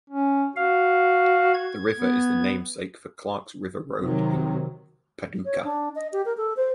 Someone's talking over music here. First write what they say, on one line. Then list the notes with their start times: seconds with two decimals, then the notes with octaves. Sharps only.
The river is the namesake for Clarks River Road in Paducah.
0.10 C#4
0.56 F#4 F5
1.54 G#6
1.99 B3
3.99 C3 D#3 F#3
5.45 C#5
5.64 D4
5.95 D#5
6.12 G4
6.25 A#4
6.37 A4
6.57 C5